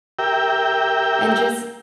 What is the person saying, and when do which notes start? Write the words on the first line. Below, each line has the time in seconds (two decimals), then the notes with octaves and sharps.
and just
0.19 G4 A#4 E5 G5